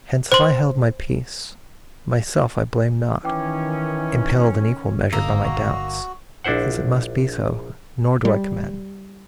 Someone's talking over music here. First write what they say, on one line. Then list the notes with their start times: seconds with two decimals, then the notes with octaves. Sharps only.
Hence, if I held my peace, myself I blame not, Impelled in equal measure by my doubts, Since it must be so, nor do I commend.
0.32 C5 C6
3.25 D#3 E3 C#4 G5 D6
5.12 G1 A#3 D#4 E6
5.44 F#4
6.44 A#1 D4 E4 C5 F#5
8.25 G3